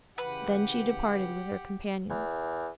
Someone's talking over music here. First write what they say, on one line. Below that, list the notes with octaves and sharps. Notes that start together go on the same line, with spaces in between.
Then she departed with her companions.
C#3 E3 G4 B4 F#5
E2